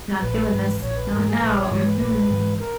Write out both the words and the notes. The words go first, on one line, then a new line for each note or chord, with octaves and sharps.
Not doing this. Not now. Mm-mm.
A#1 B4
G#2 E3 G#3
A#1 C#5
B4
G#2 E3 G#3 A#4
G#4
A#1 B4
C#5
G#2 E3 G#3 C#5
B4
A#1 B4
G#2 E3 G#3
A#4